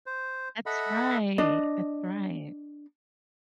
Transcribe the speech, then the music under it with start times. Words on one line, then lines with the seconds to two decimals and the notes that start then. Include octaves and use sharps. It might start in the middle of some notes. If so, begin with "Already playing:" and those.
That's right, that's right.
0.06 C5
0.66 A4 D#5 E5 F#5 B5
1.38 D4 D#5